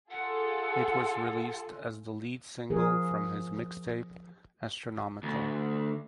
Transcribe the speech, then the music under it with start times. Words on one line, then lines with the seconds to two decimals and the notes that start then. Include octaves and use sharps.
It was released as the lead single from his mixtape "Astronomical".
0.11 F4 G#4 A4 F#5
2.70 F3 G#4 A#4
5.23 D2